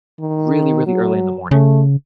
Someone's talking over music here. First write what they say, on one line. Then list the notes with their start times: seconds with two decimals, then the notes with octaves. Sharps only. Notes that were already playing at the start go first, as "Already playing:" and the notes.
really, really early in the morning,
0.20 D#3
0.87 F#3
1.51 C#3 A3